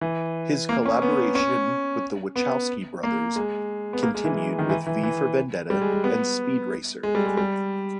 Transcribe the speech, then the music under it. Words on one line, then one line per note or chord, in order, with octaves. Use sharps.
His collaboration with the Wachowski brothers continued with "V for Vendetta" and "Speed Racer".
E3
A#3
C#4
B3
C#4
B3
A#3
G#3
B3
A#3
G#3
E3
D#3
E3
E3
E3
G3
G#3
G#3
B3
G#3
G3
G#3
G3